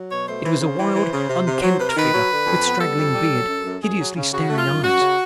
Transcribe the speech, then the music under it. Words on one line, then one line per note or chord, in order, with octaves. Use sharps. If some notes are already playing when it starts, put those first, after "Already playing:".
It was a wild, unkempt figure, with straggling beard, hideously staring eyes.
Already playing: F#3
B2 C#5
A3 C5
E3
C#3
E3
E3
C#3
C3
C3
F#3
C3 B4
A#4
D#3 B4
F#3
D3
F2
B3
G3 A4
F2
G3
F#3
F#2
F#2
F#2 G#4
F#3
C#3
C#3 F#4
A3
F4
F#2
F#2 F#4
C#3